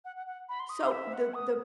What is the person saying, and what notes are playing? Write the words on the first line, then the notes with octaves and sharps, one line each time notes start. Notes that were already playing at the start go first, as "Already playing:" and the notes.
So, the the
F#5
F#5
F#5
B5
C6
D#6
C6
E5
F#5
D#6